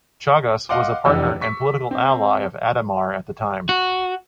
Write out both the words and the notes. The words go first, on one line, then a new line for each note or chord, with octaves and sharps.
Chagas was a partner and political ally of Ademar at the time.
D#5 F5 F#5 C6 D6
F1 E2 D4 G4 D#5 E6
C#6 B6
C4
F#4